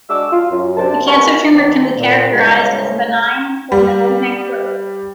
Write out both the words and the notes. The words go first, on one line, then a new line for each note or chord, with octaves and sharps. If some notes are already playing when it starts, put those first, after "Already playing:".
A Cancer tumor can be characterized as a benign or malignant growth.
G#3 D4 F#4 D6 E6
F4
F#2
F#2 C3 D4 C5 A5
G3 A#4 B4 F#5 G#5 C#6
C3 D#3 G#3 B3 C4
A#2
A2 C#3 G3 G#3
G3